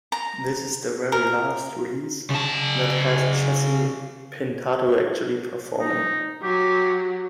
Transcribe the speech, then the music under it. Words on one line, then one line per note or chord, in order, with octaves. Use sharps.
This is the very last release that has Jesse Pintado actually performing.
A#5
A#4
C#3 A5
D#4
F#3 G4